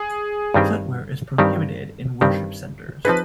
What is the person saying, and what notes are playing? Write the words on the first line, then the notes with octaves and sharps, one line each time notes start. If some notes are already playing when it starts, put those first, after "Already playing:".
Footwear is prohibited in worship centers.
Already playing: G#4
G2 D#3 G3 C4 G4
G2 D#3 G3 C4 G4
G2 D#3 G3 C4 G4
F3 C4 D#4 G#4 B4